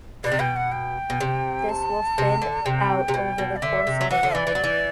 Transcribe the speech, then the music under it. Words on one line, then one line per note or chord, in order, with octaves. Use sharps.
This will thin out over the course of the ride.
B2 D5
C3
B2 G5
F#5
G5
B2
C3
A5
C3
D3
C3 G5
C3
B2
B2
D5
D3 E5
C3
F#3
E3 F#5
D3
E3 D5
E3
F#3
E3